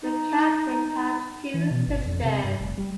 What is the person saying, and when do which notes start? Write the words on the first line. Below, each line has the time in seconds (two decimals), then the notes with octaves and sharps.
McCaslin has two sisters.
0.02 D#4
1.54 E3
1.71 B2
1.87 G1
2.05 F2
2.24 C3
2.44 G2
2.60 F1
2.78 G3